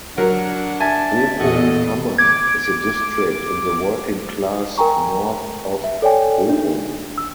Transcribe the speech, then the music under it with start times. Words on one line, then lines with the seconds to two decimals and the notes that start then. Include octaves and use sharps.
Bochum-Hamme is a district in the working-class north of Bochum.
0.18 F#3 D4 A#4 F#5
0.80 E5 G#5 A5
1.40 E2 A#2 F#4 A4 D#5
2.18 D6 G#6
4.78 A#4 G5 G#5 A#5 C#6
5.84 E5
6.02 A4 C#5 D5 G5 G#5
6.49 D4 D#4
7.18 E6